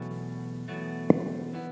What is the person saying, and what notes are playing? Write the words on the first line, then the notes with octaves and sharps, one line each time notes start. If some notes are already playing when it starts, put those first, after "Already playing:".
The "Edmonton Journal" noted Porritt had represented the Mackenzie District in the legislature.
Already playing: E2 B2 F#3 A3
E2 B2 F#3 A3
E3 B3